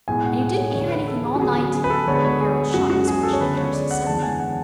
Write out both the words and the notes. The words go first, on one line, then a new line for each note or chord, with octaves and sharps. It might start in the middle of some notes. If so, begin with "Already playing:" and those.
"And you didn't hear anything all night?" Carroll shot this question at Darcy suddenly.
B1 A2 G#3 B3 G#5
F#5
F#5
C#5
E2 D3 A3 C#5
B4
A4
G#4
F#4
D2 C#3 F#3 B3 G#4
F#4
G#4
B4
A4
D2 D3 G#3 B3 C#5
B4
C#5
G#4
F#2 C#3 G#3 F#4
F#4
G#4
A4
C#5
D2 C#3 G#3 B3 B4
C#5
D5
F#5
F#1 E2 D3 G#3 B3 A5
G#5
F#5